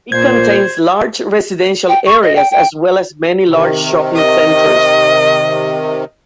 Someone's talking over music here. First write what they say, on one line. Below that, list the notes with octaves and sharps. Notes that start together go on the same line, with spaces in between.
It contains large residential areas as well as many large shopping centers.
A#2 C5 G#6
G5
C#6
D#5
G5
G5
C3 D#3
D#5